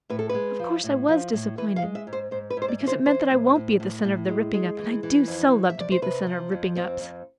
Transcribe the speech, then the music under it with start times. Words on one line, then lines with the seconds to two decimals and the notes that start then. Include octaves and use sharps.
Of course I was disappointed, because it meant that I won't be the center of the ripping-up, and I do so love to be the center of ripping-ups!
0.10 A2 B4
0.19 A4
0.29 G#3 B4
0.59 F3
0.84 A2
1.08 F3
1.33 A2
1.58 E3 B4
1.76 F5
1.82 G#3
1.95 E5
2.07 G#2
2.13 C5
2.31 G#2 C5
2.50 B4
2.57 G#2 C5
2.68 D5
2.80 E3
2.87 C5
3.06 E3 C5
3.31 A2
3.55 A2
3.80 A2
4.04 A2
4.29 G#3
4.54 G#3
4.79 E3
5.03 E3
5.28 F2
5.52 F2
5.70 E5
5.78 C3 D5
5.92 C5
6.02 C3 B4
6.27 F3
6.52 F2
6.76 F2 C4
7.01 F2